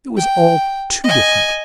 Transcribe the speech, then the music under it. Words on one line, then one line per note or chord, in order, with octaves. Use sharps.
It was all too different.
G5
D#5 G#5